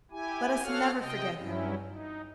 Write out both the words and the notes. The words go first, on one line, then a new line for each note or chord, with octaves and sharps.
Let us never forget him.
E4 G4 G#5
F#4 A4 C#5 F5 F#5 F6
C3 D#5 G5
G2 F#3 C#4 E4
D#4